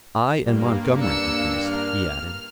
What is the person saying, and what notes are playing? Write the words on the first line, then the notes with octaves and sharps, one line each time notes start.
"I and Montgomery, at least," he added.
G2 G3 A#3
D4 E6 C#7
F6